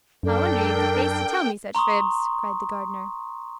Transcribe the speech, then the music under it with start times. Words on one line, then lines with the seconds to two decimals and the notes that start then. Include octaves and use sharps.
"I wonder you've the face to tell me such fibs!" cried the Gardener.
0.23 F#2 D4 A4 A#4 G5
1.75 A#5 C6 C#6 D#6